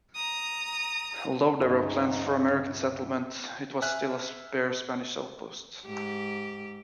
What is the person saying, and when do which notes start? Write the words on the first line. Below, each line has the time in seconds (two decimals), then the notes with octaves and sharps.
Although there were plans for American settlement, it was still a spare Spanish outpost.
0.15 A#5 D#6
1.59 G1 C#2 G#2 C#4 D#4
3.82 E5 G#5 F6 F#6
5.86 G#2 G4